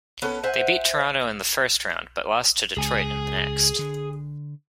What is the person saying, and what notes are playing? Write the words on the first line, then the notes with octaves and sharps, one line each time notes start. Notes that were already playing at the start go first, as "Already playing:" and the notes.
They beat Toronto in the first round, but lost to Detroit in the next.
B3 C#4 A4
C5 E5 F#5 G#5
C#2 G#4 G#5
D3